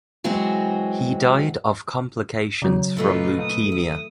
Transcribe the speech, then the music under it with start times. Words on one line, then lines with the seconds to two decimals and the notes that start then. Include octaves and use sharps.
He died of complications from leukemia.
0.24 E3 F#3 G#3 C4 F#4
2.62 C#3 F#3
2.97 A#2 A3 D#4 F4 B4
3.42 D#6
3.72 E4